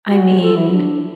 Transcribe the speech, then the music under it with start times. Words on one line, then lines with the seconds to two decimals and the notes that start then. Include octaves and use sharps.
I mean,
0.09 F#4
0.42 A4
0.56 E4
0.72 D4